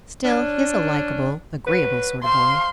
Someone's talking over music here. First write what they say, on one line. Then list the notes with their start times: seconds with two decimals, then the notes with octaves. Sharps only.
"Still, he's a likable, agreeable sort of boy."
0.24 C#4 D4
1.66 F#3 B4
2.24 C5 F5 C6